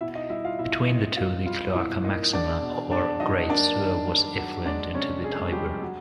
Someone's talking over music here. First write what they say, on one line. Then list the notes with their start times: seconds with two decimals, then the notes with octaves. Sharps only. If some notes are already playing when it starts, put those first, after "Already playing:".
Between the two, the Cloaca Maxima, or Great Sewer, was effluent into the Tiber.
0.01 B2 E4 E5
0.15 D#4 D#5
0.29 G3 E4 E5
0.44 F4 F5
0.58 B2 E4 E5
0.88 C4 D#4 D#5
1.17 D#4 F4 F5
1.46 G3 F4 F5
1.75 B2 E4 E5
2.04 A#3 D#4 D#5
2.33 E2 D4 D5
2.62 B2
2.91 E2 D4 D5
3.20 F#3 D#4 D#5
3.49 A#3 D4 D5
3.79 D#3
4.08 G2
4.36 F#3
4.65 G#3 D4 D5
4.95 C3 C#4 C#5
5.23 F2 G#4
5.32 A4
5.39 G#3 G#4
5.52 F3 G3 G4
5.82 F#3 F#4